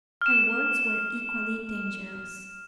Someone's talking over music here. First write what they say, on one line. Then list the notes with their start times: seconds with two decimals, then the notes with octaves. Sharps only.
Her words were equally dangerous.
0.21 F6 E7